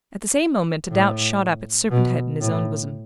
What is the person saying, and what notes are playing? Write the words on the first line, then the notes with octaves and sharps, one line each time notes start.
At the same moment a doubt shot up its serpent-head in his own bosom.
A2
B2
A2